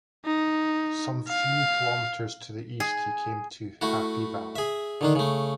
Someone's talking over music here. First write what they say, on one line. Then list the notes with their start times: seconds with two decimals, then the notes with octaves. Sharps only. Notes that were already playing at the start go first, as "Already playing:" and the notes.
Some few kilometres to the east he came to Happy Valley.
0.25 D#4
1.29 F5
2.80 G#4
3.81 A3 E4 F#4
4.56 G#4 E5
5.01 D3 D#3 D4
5.15 C#3 A3